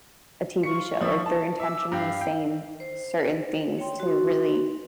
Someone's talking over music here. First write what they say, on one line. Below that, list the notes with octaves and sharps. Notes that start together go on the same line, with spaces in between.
a TV show, like, they're intentionally saying certain things to really
F4 C#6 C#7
F3 E5
A5
E5 D6 E6
G2 F5 G5
G5
C5
C#5 G5 C6
F#4 C6